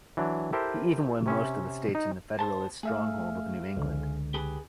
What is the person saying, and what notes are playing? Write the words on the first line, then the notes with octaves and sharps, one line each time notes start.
He even won most of the states in the Federalist stronghold of New England.
E3 F#3 D4
E4 G4 A4 A#4 C5
C3 C#4 E5
D#4
B3 C5 A5
A3 G#4 E5 F5
C#2 D3
G4 G#4 B4